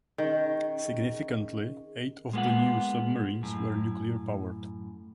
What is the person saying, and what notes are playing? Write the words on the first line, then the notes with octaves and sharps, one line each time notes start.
Significantly, eight of the new submarines were nuclear-powered.
D#3 C#4 G#4
G#3 A#3 B3 F4 F#5
F#2 A2